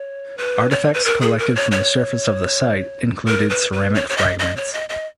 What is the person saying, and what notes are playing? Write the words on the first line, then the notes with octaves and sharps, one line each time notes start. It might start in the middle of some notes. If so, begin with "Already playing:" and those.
Artifacts collected from the surface of the site included ceramic fragments.
Already playing: C#5
B4
C#5
B4
A#4
G#4
A#4
C#5
C#5
A#4
B4
B4
C#5
C#5
D#5
D#5
C#5
D#5
D#5